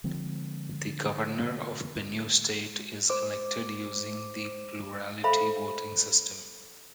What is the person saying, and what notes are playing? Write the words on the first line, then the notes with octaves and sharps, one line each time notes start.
The Governor of Benue State is elected using the plurality voting system.
D3 F3 G#3 C4
C5 D6
A4 C5 E5 F5 B5